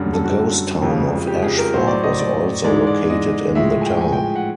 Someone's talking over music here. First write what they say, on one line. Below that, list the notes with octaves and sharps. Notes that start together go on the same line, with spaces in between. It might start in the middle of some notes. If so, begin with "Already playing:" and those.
The ghost town of Ashford was also located in the town.
Already playing: F#2 D3 G3
A4
F#4
F2 C#3 F3 G#3
G4
G#4
A#4
A2 F#3 C5
D5
D#5
D5
G#2 E3 G#3 D5
D5
D#5
A2 F3 G#3 E5
E5
G#5
G5
G#5
G5
F#5